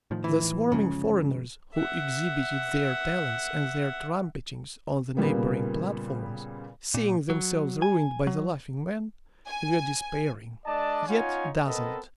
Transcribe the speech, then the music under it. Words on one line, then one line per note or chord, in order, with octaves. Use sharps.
The swarming foreigners who exhibited their talents and their trumpetings on the neighbouring platforms, seeing themselves ruined by the Laughing Man, were despairing, yet dazzled.
A2 D#3 F3
E3
G1 C#3 F3 G#3
E5 F#5
A#2 C#3 G3 A#3 B3
A#2
F#3
G#5
F#3
G#5
G#3 D4 D5 D#5 A5
C#4 D#4 F4 C#5 F#5 G#5
B3 C4 A4 A#4 D#5